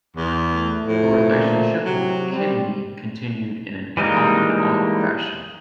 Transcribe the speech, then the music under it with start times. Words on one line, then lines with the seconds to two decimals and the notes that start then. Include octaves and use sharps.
Her relationship with Kidney continued in an on-and-off fashion.
0.16 E2
0.52 A3
0.85 A2 F3 A3
1.29 A#2
1.85 C3 F#3
2.32 G3 C4
3.97 E3 G3 G#3 A#3 D#4